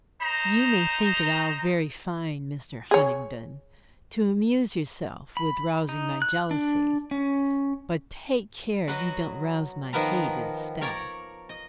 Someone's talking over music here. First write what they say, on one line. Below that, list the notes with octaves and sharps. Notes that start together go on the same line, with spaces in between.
'You may think it all very fine, Mr. Huntingdon, to amuse yourself with rousing my jealousy; but take care you don't rouse my hate instead.
D#4 C5 A#5
G#4 C#5
B5
D#4
F#6
D4
C#4
F#3 F#4 B4 D#5 F#5
D#3 F3 B3 A#4 B4 A#5
A#4 C#5 D5 A#5
D#5